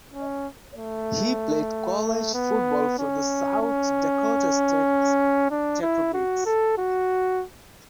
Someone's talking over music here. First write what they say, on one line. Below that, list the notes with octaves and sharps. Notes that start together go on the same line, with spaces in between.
He played college football for the South Dakota State Jackrabbits.
C#4
A3
B3
C#4
C#4
D4
E4
F#4
A4
F#4